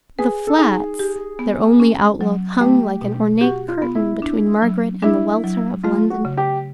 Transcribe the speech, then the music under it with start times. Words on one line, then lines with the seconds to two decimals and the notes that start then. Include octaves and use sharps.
The flats, their only outlook, hung like an ornate curtain between Margaret and the welter of London.
0.19 G#4 B4
0.47 A4
0.58 D#4 G#4
0.99 G4
1.39 B3
1.80 C#4
2.21 F#3
2.60 A3 G4
3.01 B2
3.41 F#4 G4
3.68 F4
3.82 B3
3.95 E4
4.22 D4
4.62 F#3
5.02 D4 E4
5.44 F#3
5.83 A3 F4
6.10 F#4
6.25 C#3
6.37 G4